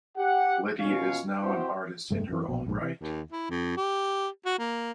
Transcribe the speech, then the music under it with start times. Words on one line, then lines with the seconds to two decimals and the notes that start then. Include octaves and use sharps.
Lydia is now an artist in her own right.
0.17 G4 F#5
0.80 B2 C#4 F4 C#5 F5
1.42 C4 E4 F#4 G4 C5
2.10 F1 G2 G#3 A3
2.29 F#2 C#3 E3
2.48 A#1 B2
2.66 A#1 G#2
2.82 C3 E3
3.01 D#2
3.32 E4
3.50 F2
3.77 G4
4.45 F#4
4.59 A#3